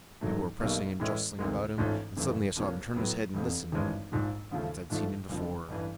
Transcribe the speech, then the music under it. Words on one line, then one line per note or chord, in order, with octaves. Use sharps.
People were pressing and jostling about him, and suddenly I saw him turn his head and listen, as I'd seen him before.
A1 G#2 D#3 F#3 A3
B1 B2 G3 A#3 D#4
A2 E3 G#3 C#4 E4
D2 C3 D#3 G#3
A1 G#2 F3 A3 C#4
F#1 F#2 C#3 E3 A3
C2 C3 F3 A#3 C#4
A2 F#3 B3
F1 E2 C3
G#1 G2 E3 G#3 C#4
A#1 G#2 F3
D#2 C#3 F3 A3
A1 G#2 F3 A3 D4
F#1 F2 D3 F3
A1 G2 E3